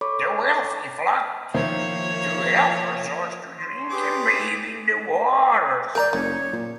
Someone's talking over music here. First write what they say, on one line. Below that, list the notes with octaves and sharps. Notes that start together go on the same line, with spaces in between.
The wealthy flocked to health resorts to drink and bathe in the waters.
A4 C#5 B5 C#6 D6
D#3 F3 A#3 E4 C5 C#5 E5
C#5 C6
G4 G#4 B4 D6
G#4 A#4 D5 A#5 G6
F#1 D#3 C#5
A#2